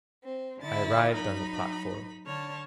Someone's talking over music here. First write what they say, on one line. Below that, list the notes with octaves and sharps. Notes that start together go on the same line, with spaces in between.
I arrived on the platform.
C4
D3 E4 A6
F#3 D#4 B5
D3 C#5 A5 F6